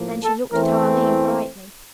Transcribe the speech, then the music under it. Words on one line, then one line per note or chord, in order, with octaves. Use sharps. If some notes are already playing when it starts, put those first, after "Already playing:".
Then she looked at Arline brightly.
Already playing: A2 F3 A#3
A4
E2 E3 A3 C4 A#4